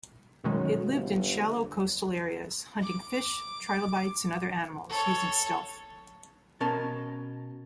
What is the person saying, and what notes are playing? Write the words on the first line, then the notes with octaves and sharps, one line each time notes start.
It lived in shallow coastal areas, hunting fish, trilobites and other animals using stealth.
F#2 B2 D#3 G#3
G1
D6
A4 C#5
B2 C#4 A#4 A5